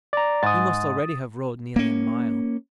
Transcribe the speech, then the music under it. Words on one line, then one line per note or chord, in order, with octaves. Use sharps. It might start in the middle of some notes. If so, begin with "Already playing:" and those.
He must already have rowed nearly a mile.
D5 A#5
G#2 D#6 A6
A#3 C#4